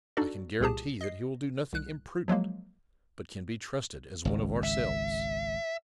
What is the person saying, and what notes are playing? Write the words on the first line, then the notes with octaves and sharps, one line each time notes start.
I can guarantee that he will do nothing imprudent, but can be trusted as one of ourselves.
D4 D#4 F#4 A4 D5
C2 A#2 G4 G#4 A5
D#5 C7
C2 F#6
F3 F#3 G#3 A#3
G#1 C#2
E5